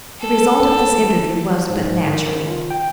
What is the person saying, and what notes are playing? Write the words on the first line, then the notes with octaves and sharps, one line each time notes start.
The result of this interview was but natural.
A4
G#2
D#3
F4
G5